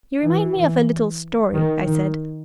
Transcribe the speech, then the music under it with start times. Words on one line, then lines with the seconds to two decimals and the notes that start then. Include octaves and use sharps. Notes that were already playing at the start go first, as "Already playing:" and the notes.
"You remind me of a little story," I said.
0.23 E3
1.54 D#3
1.87 D#3